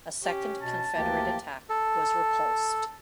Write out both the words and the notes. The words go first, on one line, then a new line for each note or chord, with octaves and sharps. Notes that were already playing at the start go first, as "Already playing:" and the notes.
A second Confederate attack was repulsed.
C#4 G4
B2 A5
D2 E3 F3 A#3 G4
A4